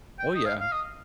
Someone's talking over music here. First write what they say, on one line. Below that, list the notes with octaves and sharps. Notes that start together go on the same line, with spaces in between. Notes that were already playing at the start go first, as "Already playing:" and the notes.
Oh, yeah.
G5
D#5
F5
F5
D#5